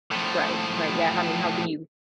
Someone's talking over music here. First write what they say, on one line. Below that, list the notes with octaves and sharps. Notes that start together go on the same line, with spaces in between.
Right, right, yeah, I mean, how can you
A2 F3